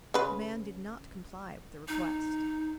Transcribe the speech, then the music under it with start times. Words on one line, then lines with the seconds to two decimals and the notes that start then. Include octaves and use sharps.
The man did not comply with the request.
0.14 C#3 B4
1.88 D#4